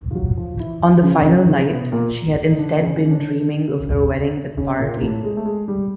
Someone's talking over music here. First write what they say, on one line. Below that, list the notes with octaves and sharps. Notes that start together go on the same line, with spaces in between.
On the final night, she had instead been dreaming of her wedding with Barty.
F4
F#3 F#4
F3 F4
E3 E4
C#3 C#4
C#3 C#4
C3 C4
B2 B3
A#2 A#3
D#4
D3 D4
C#3 C#4
C#4
D3 D4
D3 D4
C#3 C#4
C#3 C#4
A#2 A#3
A#3
A2 A3
G#3
A3
G#3
G3